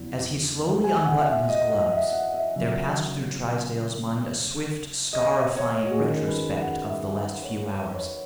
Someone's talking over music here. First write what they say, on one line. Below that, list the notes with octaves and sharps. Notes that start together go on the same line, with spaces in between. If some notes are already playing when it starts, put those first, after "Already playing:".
As he slowly unbuttoned his gloves, there passed through Trysdale's mind a swift, scarifying retrospect of the last few hours.
Already playing: E2 C#3 F#3 B3
G#5
F#5
E5
D#5
D#5
E5
F#5
E5
C#3 F#3 A#3 E5
D#5
C#5
F#4
G#4
D#3 G#3 C#4 A#4
B4
F#5
E5
B4
C#5
B4
C#5